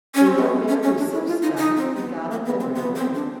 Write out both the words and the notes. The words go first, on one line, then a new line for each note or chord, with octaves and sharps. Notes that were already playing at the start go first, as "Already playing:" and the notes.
The young man was so stunned he got up and ran away.
C#4
C4
B3
C#4
C#4
D4
E4
F4
D#4
D#4
C4
B3
A#3
B3
C4
B3
C4
D4